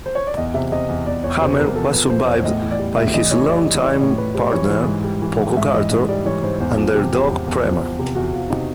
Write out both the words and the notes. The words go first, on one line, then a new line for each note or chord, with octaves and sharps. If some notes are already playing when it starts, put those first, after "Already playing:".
Hammer was survived by his long-time partner, Poco Carter, and their dog Prema.
C5
C#5
D5
E2 D#5
C3 E5
C3 D#5
E2
E2 D5
E2 C#5
C3 C5
E2 A#4
F3 A4
F3 B4
F3 C5
E2 C#5
A2 D#5
E3
D5
G3
A2 E5
E3 D#5
E3 C#5
G3 D5
E3 D#5
E3 D5
A2 C#5
A2 B4
G3 C5
E3 C#5
E3
G#2
G3
E3
G#2
G#2 E5
E3 D#5
G#2 D#5
G3 D5
E3 C#5
G#2 C5
E2 C5
F3
C3 G4
F3 G4
E2
E2
F3
E2
C3
E2 F#4
E2 F4
C3 D#4